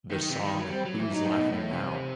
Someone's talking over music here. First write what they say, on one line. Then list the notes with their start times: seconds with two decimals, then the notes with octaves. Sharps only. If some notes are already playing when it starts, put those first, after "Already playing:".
The song Who's Laughing Now?
0.10 D#3
0.21 D#3
0.31 C3
0.40 E3
0.44 D#3
0.58 F#3
0.71 G3 C4
0.85 F#3
0.99 E3
1.12 F#3 D#4
1.25 A2
1.39 B2
1.52 A2
1.73 C3